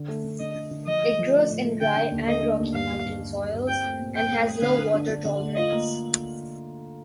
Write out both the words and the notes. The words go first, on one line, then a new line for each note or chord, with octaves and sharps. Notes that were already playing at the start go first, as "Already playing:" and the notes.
It grows in dry and rocky mountain soils and has low water tolerance.
Already playing: D3
A3
D3
D3 D#5
D3
D3
F3 D#5
A3
F3
A3
A2
A3
D3 G5
D3
D#2
A3 D#5
D4
D#2
G2 F5
G2
G2
G2
G2
G2
C4 G5
A3
A#2
A3 G5
A3
A3
D3 F5
D3
D4
D4
D3
A3
F4 D#5
A#3